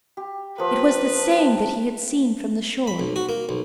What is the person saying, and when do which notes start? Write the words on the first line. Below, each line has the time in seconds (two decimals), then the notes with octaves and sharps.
It was the same that he had seen from the shore.
0.17 G4
0.58 F3 A#3 B4
1.36 G5 A5
2.87 B5
3.00 B1
3.16 F#4
3.29 A#3
3.49 B1